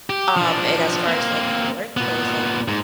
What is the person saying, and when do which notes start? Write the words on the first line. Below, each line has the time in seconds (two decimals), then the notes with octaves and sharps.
um, and as far as, like, in the workplace, like,
0.10 G4
0.37 F3 D4
1.07 A#3 C4
1.97 A#2 B3
2.68 G#2